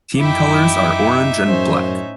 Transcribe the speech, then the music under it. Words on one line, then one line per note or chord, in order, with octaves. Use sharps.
Team colors are orange and black.
F#2 D#4 E4 E5 G5 D6
F#2 A2 C#4 C5